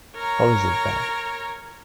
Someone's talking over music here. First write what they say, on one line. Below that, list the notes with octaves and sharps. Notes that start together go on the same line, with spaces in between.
How is it bad?
A#4 C#5 A#5